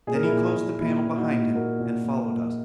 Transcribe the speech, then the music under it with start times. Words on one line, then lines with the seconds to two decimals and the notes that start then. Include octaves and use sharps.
Then he closed the panel behind him and followed us.
0.07 A#2 G#4
0.15 A#4
0.23 E4 G#4
0.32 A#2
0.56 A#2
0.81 A#2 E4
1.06 A#2
1.18 D#4 F#4
1.31 A#2
1.55 A#2 F#4 A#4
1.80 A#2
2.04 A#2
2.29 A#2